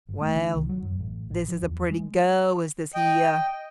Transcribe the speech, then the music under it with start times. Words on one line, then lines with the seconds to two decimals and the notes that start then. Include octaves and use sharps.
'Well, this is a pretty go, is this here!
0.09 G1
0.21 A3
0.36 D#3
0.54 C2
0.69 F#3
0.83 F#2
0.99 A1
1.31 A1
1.48 F3
1.62 E2
1.91 G#3
2.94 D#5 G5